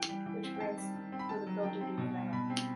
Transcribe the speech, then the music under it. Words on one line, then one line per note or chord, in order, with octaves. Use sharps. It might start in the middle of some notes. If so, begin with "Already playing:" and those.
Which brands with a filter do you have?
Already playing: E3 G5
G3
E3
C4
G5
D#3 A5
G3
D#3
C4
B5
D#3 A5
F#3
D#3 G5
C4
B2
G3
B2 B5
C4